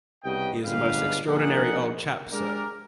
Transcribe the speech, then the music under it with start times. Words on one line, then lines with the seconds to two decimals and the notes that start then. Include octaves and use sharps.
He is a most extraordinary old chap, sir.
0.24 C2 C#3 B3 G4 D#5 G5
0.64 G1 C#2 D3 G#3 B4 F5
1.26 A#1 D#4 G#4 A#4 F#5
2.32 G#3 D4 G4 G#4 A#4